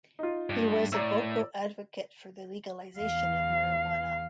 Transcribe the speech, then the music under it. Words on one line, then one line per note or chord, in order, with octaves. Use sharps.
He was a vocal advocate for the legalization of marijuana.
D#4 F4
G2
A2 D5 A#5 E6
E2 F5